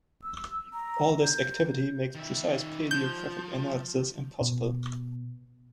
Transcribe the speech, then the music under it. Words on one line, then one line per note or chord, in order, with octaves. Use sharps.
All this activity makes precise paleographic analysis impossible.
E6
A#5
G6
D#3 E5
F3 G6
B2